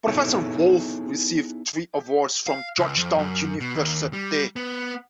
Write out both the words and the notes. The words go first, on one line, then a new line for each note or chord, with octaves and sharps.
Professor Wolff received three awards from Georgetown University.
B3 D#4 E4 G#4 A4 C#5
F5
C#2
F2
F#2
B2
D#2
G3
B3